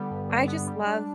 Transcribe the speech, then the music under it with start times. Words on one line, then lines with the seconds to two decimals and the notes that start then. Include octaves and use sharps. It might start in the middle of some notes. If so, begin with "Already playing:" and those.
I just love
Already playing: D3 G3 B3
0.11 G2
0.29 D3
0.48 B3
0.67 G3
0.86 D4